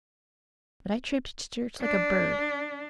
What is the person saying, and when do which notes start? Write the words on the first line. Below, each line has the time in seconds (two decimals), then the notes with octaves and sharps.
But I tripped to church like a bird.
1.82 D4